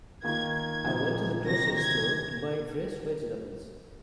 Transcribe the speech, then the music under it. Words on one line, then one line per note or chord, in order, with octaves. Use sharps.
I went to the grocery store to buy fresh vegetables.
D#3 A#3 F4 G#6
G#6
A#2 F3 C4 D#4
C3 D#3 F#3 A#6
G#6